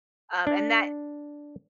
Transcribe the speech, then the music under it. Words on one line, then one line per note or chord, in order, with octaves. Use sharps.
um and that
D4